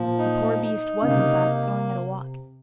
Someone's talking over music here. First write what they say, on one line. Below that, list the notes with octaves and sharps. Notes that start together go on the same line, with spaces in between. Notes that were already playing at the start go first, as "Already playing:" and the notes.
The poor beast was, in fact, going at a walk.
Already playing: A#2 F3
D#4
D#4
C#3
C3 A#3